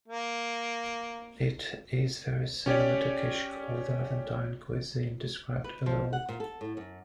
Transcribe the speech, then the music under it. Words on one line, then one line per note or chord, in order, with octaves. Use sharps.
It is very similar to "kishk" of the Levantine cuisine described below.
A#3
C#4 G4 C#5 D5
B4
F3
F#5
A#2
A4
A2
F#2